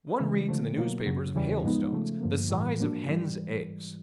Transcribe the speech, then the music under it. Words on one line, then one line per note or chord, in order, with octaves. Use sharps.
One reads in the newspapers of hailstones the size of hens' eggs.
C#3 E3 G#3
D3 F3 A3
B2 F#3 A#3
F#2 C#3 F#3
E2 C#3 E3 G3
G#2 F3 G#3 B3 D#4
C#3 F3 A3
G2 D3 F3 A#3
A2 E3 G3
G#2 F3 A#3 D4 F#4
G#2 E3 G3